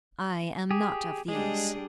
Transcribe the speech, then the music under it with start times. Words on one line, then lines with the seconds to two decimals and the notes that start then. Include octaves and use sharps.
I am not of these.
0.71 G4 G#4
1.28 G3 G#3 D4 G#4